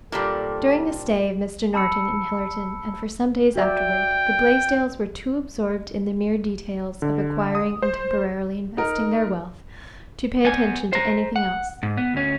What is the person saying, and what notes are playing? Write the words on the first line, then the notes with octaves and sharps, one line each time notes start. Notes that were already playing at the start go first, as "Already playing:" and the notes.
During the stay of Mr. Norton in Hillerton, and for some days afterward, the Blaisdells were too absorbed in the mere details of acquiring and temporarily investing their wealth to pay attention to anything else.
A#2 G3 A#3 C4 D4 A4
A5 B5 E6 C#7
F#4 D5 E5 G5
D3
D#6
C5
D#4 A#4
B3 G#5
C5 A#5
F#5
G#2
B3
D2 C#4